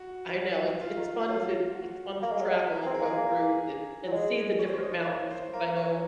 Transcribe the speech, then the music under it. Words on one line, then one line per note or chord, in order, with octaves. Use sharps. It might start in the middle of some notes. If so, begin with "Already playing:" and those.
I know it's it's fun to it's fun to travel and go through it and see the different mountains, 'cause I know,
Already playing: F#4
F4
D#3
D#3
F#3 F4
F#4
A#3 A#4
G#3
F#3
G#3
A#4
G#4
C4
A#4
A#3
G#4
A#3
F#3
G#3
D#5
C#5
C5
C#5
D#5
A#3 C#5
C5
A#3 A#4
C#5